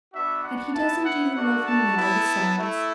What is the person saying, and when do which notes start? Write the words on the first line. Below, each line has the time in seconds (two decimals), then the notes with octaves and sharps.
"And he doesn't even love me now, besides."
0.13 B3 D4 F#4 E5
0.43 F#5
0.74 B3 E4 A5
1.05 F#5
1.34 A3 D4 F#4 F#5
1.65 A5
1.95 B3 E4
2.56 A3 E4